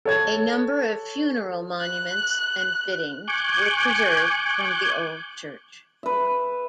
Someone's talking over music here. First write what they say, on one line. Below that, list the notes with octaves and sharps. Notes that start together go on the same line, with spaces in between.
A number of funeral monuments and fittings were preserved from the old church.
A4 C#5 G#6
F#6
G#5 C#6 D6 F#6 G6
B4 E5